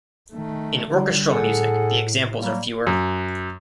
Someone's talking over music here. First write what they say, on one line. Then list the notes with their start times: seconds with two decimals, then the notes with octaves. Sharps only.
In orchestral music the examples are fewer.
0.33 D#3 A3
0.91 D3 G3
1.31 A2 G#4 A4 F#5
2.41 F#3 G3 A#3
2.87 F#2